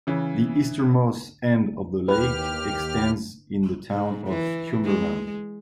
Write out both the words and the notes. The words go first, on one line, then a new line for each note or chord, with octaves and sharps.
The easternmost end of the lake extends into the town of Cumberland.
C#3 E3
D#2 G4 B4 F6
G#2
E3
G#3